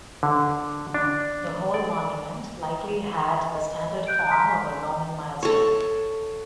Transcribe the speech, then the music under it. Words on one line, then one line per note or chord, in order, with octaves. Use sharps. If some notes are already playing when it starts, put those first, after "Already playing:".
The whole monument likely had the standard form of a Roman milestone.
D3
D4
D5
D#5
F#6 G6 D7
G#5 A#5 C6 D#6 F6 B6
A4 C#5